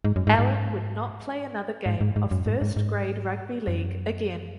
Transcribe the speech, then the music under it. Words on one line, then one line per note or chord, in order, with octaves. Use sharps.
Allan would not play another game of first grade rugby league again.
G#2
F#2
G#2
G#2
G#2
G#2
G#2
F#2
G#2
G#2
G#2
F#2